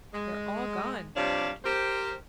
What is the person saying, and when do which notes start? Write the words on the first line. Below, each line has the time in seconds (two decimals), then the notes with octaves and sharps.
"They're all gone," said he.
0.13 G#3
1.15 C3 F3 G3 D4 C#5 F5
1.64 G4 A#4 C5